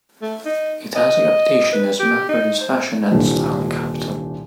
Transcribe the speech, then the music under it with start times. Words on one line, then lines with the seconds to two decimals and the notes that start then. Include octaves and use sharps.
It has a reputation as Melbourne's fashion and style capital.
0.22 A3
0.45 D#4
0.96 D#5
1.73 B4
2.00 G4
2.29 D#4
2.62 C5
3.11 D#1 C2 A#2 D3